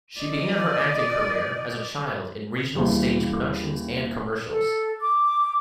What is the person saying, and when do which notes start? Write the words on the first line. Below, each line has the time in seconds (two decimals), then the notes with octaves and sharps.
She began her acting career as a child in regional stage productions and commercials.
0.20 D5 D#5
2.75 D#2 C#3 E3 G3
4.48 A4
5.00 D6